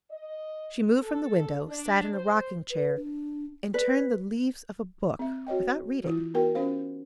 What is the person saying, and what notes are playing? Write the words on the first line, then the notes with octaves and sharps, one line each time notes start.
She moved from the window, sat in a rocking-chair, and turned the leaves of a book, without reading.
D#5
A4
D4
C5
B4
D4
B4 D5
C4 E5
F#4 C#5 D#5 G5
E3 E4 F4
B3 F#4 A#4 G5
C#4 F4 C5 F5